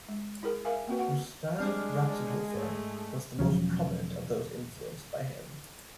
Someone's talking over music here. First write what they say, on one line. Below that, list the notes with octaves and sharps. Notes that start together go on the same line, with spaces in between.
Gustav Ratzenhofer was the most prominent of those influenced by him.
G#3
E4 G#4 A#4
A#4 E5 F5 G#5
A#3 C4 F#4 B4
F#4 F#5
G3 G#3 C4 D4 F6
G#2 A3
E1 F3 F#3 C#4